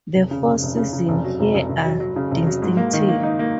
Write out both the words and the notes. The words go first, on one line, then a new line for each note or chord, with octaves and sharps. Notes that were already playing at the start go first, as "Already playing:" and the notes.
The four seasons here are distinctive.
F1
C#3
F1
F1
C#3
C#3
F1
F#3
F1
F1
F1
F#3
F#3
C#3
F1
F#3
G#2
A#3
D#3
A#3
D#4
A#3